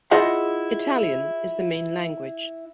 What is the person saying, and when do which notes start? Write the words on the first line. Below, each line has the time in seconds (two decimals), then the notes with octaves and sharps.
Italian is the main language.
0.11 E4 F4 G#4 D#5 F#5